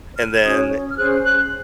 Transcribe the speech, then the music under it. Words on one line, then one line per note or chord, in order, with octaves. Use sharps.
and then, eh
F6
C#4 F#4 C#5 D#6
F6
C#4 G#4 C5 F#6
F#6